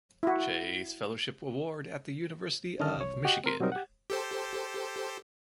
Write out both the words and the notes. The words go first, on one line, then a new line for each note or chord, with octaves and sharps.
Chase Fellowship Award at the University of Michigan.
E4 F#4
D3 D#3 C#4 D#5 A5 F6
C2 C#5
F#4 G4 D#5 F#5 G5
C4 A#4 C6
B2 F#3 G3 C4 D#4 A#4
G4 F#5
G4 A4 C5